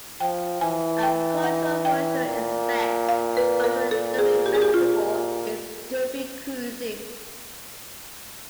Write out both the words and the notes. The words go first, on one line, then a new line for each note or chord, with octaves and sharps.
A controversial aspect of the Derby Festival is Derby Cruising.
F3 G5
E3 G#5
G5
F#5
G5
A#2
F5
B4
A#4
A#2 A4
G#4
G4
G#4
G4
A#2 F4